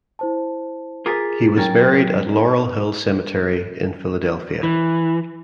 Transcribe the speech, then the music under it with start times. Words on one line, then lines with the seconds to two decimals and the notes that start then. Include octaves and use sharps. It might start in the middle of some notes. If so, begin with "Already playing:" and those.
He was buried at Laurel Hill Cemetery in Philadelphia.
0.19 E4 C5 A5
1.06 F4 G#4 A#4 D6 A6 B6
1.57 F#3 C#4 A#4 G5 A6
4.63 E3